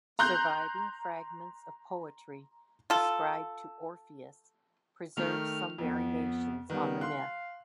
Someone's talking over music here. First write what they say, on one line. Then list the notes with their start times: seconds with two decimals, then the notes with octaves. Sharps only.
Surviving fragments of poetry ascribed to Orpheus preserve some variations on the myth.
0.19 A#5 C6 F#6 G6
2.90 F4 A4
5.17 D#3 A3 F6
5.78 F2 B3
6.70 D#3 G3 B3 B4
7.01 F5 C6 F#6